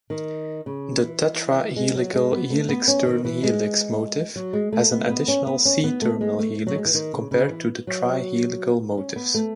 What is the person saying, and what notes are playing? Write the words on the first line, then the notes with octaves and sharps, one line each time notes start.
The tetra-helical helix-turn-helix motif has an additional C-terminal helix compared to the tri-helical motifs.
D#3
C#3
E3
G#3
F#3
G#3
B3
A3
B3
C#4
D#3
E3
G#3
F#3
G#3
A3
B3
B3
C#4
B3
C#4
B3
A3
G#3
A3
F#3
G#3
E3
D#3
C#3
C#3
E3
F#3
C#4
B3
A3